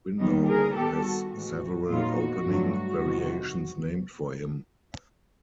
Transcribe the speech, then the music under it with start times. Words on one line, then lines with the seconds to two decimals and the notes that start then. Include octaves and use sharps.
Winawer has several opening variations named for him.
0.19 D#2 D#3 G3 B3 D#4
0.48 G#4 A#4
0.76 D#3 G3 B3 G4 A4
1.05 F#4
1.33 A2 E3 G#3 F#4
1.90 A#2 F#3 B3 D#4 F4
2.18 F#4
2.46 G2 D3 F#3 A3
2.75 F#4
3.03 F2 C3 D#3